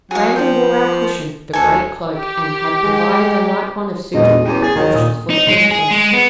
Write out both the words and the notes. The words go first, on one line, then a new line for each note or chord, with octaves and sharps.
Brandon wore our cushion, the great cloak, and had provided a like one of suitable proportions for the princess.
F#3 G#4 F5
F3 G5
D2 A4 G#5
G4
G#3
E2 A#2 D3 G#3 D#5
F#4
E2 C#4 G4 D#7
G#4 A6
D#2 D#3
A#2 D#6
D#4
G#3
G#4
G#3
B3